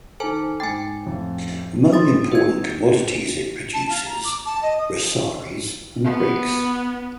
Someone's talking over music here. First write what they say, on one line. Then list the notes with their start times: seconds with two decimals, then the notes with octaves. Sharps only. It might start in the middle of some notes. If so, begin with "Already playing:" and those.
Among the important commodities it produces were saris and bricks.
0.20 D#3 A4 C5 G#5 A5
0.60 G#2 G5 G#5 D6 A6
1.06 F2 A2
1.92 G4 C6 D#6 A6
2.32 D#3 B4 G#6
3.74 A5
3.89 F5
4.06 A#5
4.24 D6
4.45 A5
4.62 D#5
4.78 D#6
6.04 B3